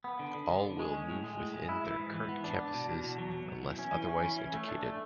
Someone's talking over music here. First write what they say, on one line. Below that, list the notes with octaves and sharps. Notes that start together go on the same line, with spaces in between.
All will move within their current campuses unless otherwise indicated.
B3
D3
D3
D3
D3
G#3
C#4
A2
G#3
A2
G#3
E4
E3
G#2
E3
B3
D4
D4
B2
E2
B2
F#3
F#3
B2
E3
C#4
E3
C#4
E3
C#4
A3
D4
A3